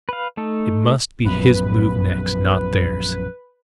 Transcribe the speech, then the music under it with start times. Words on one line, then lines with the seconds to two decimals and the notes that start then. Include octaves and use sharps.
It must be his move next--not theirs!
0.09 B4 F5
0.37 A3 D#4 A4
1.25 A#1 F#2 B2 B4